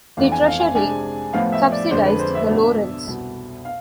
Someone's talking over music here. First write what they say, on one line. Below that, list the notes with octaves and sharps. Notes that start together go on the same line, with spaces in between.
The treasury subsidized the low rents.
F2 E3 B3 D4 F5
G#5
F5
G#5
C3 G#3 D4 G#5
A2 F3 B3 F5
E5
D5
F2 D3 G#3 D4 C5
B4
C5
E5
B2 B3 D4
C2 B2 B3
F5